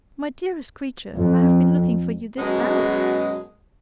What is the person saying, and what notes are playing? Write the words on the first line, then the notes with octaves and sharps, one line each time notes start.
My dearest creature, I have been looking for you this hour.
F2
F#2 B2 G#3